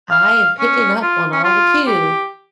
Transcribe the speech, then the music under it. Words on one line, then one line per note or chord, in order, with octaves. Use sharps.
I am picking up on all the cue.
F5
C#4
F4
C#4
F4
G4